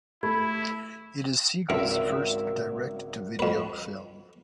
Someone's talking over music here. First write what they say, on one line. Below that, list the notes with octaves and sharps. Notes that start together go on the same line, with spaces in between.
It is Seagal's first direct-to-video film.
A3 E4 B5 G#6
G#1 C#2 E3 A#4 E5 E6
F2 B4